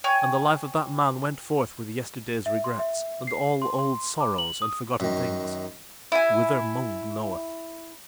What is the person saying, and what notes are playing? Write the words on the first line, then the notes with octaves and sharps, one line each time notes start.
And the Life of that man went forth with yesterday's regrets and all old sorrows and forgotten things--whither Mung knoweth.
C#5 G5 G#5
E5
C6
E5
C7
C6
C6
D6
F#7
D#6
F#2 D#3
E4 G#5